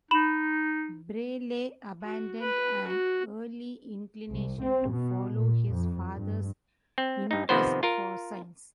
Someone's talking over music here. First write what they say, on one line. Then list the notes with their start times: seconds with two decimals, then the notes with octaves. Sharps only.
Brayley abandoned an early inclination to follow his father's interests for science.
0.11 D#4 B5 E7
2.02 F#4
2.40 B4
2.87 F#4
4.31 C2
4.61 C4
4.90 B2
5.36 A#2
5.67 F2
6.14 G2
6.98 C4
7.31 G2 D#4
7.49 C3 D#3 F3 B3 B4 C5
7.83 F4 A#4